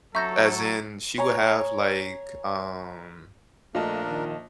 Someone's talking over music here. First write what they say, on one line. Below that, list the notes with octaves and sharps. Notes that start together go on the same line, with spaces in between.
as in, she would have, like, um
F#3 A4 E5 A#5 C#6 G6 A#6
C#5 G#5 A#5
A#1 A3 D4 F4 A#4 D#5 A5
D#3